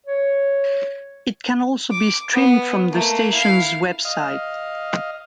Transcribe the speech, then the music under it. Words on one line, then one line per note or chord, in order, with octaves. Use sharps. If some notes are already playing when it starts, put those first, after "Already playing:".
It can also be streamed from the station's web site.
C#5
D6
B3
A3 A#3
E4 F5
D#5 F5